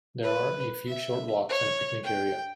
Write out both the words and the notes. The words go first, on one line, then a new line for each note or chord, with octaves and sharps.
There are a few short walks and a picnic area.
B4
E5
C#5
G5